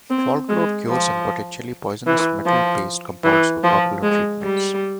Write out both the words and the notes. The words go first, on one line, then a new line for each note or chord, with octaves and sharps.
Folklore cures and potentially poisonous metal-based compounds were popular treatments.
C4
G#3
F3
E3
F3
E3
F3
G#3
G3